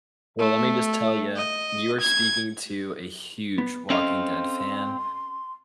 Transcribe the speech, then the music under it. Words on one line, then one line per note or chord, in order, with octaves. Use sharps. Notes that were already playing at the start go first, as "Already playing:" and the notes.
Well, let me just tell you, you are speaking to a huge Walking Dead fan.
A3
D#5
G#6
B3
C4 C#4 A4 D#5 F5 C6